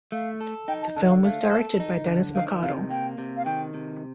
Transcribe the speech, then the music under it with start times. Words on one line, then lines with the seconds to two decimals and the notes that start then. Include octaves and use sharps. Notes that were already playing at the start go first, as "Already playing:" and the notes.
The film was directed by Denis McArdle.
0.12 A3 F5
0.41 A4
0.68 D#4 G5
0.82 A5
0.96 D3 A5
1.09 F5
1.24 A3 F5
1.51 A4
1.80 D#4
2.07 D3
2.35 D#3 F5
2.63 C3 F5
2.90 A#3 G5
3.18 C3
3.37 F5
3.45 D#3 G5
3.74 C3